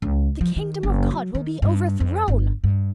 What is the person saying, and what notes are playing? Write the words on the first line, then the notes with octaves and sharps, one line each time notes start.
The kingdom of God will be overthrown...
C#2
F3
D#3
F#1
F#3
D#3
G2
F2
G1
G2